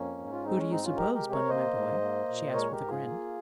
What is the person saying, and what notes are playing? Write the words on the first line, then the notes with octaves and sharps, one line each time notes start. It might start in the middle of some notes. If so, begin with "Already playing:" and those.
"Who do you suppose, Bunny, my boy?" she asked with a grin.
Already playing: F2 A#3 C#4
G#2
F4
G#3 C4 D#4
C#4
G#2 C4 D#4
C#4 F4
G#3 G4 A#4
G4 A#4
C3
A#4 C#5
A#3 C5 D#5
G#2
A#3
A#2
G#3 A#4 C#5
G4 A#4
G#2
F4 G#4
A#3